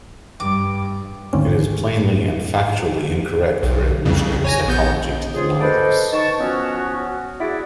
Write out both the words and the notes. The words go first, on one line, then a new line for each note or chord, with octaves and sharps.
It is plainly and factually incorrect for evolutionary psychology to deny this.
G2 D6
G#1 D2 C4 C#4
B1
C2 F2 C#3
C#5 G#5 A#6
A#1 B3 G6
C#2 G#2 F4 G#4 C#5 D#6
A4 B4 C5 D5 D#5
D#3 A5 C#6
F3 F#3 B3 C#4 F#4
E4 F#4 G#4 D5